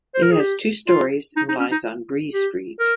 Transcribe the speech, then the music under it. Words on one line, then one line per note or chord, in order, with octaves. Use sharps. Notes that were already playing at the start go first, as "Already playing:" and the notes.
It has two stories and lies on Bree Street.
C5
A#4
G#4
G4
F4
D#4
D#4
C#4
D#4
G4
A#4